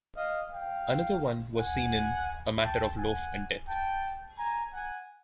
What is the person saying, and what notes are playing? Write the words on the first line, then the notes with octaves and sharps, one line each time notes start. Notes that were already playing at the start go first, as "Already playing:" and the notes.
Another one was seen in "A Matter of Loaf and Death".
D#5 F5
F5 G5
F#5 G#5
G5 A5
F#5 G#5
G5 A5
G#5 A#5
F#5 G#5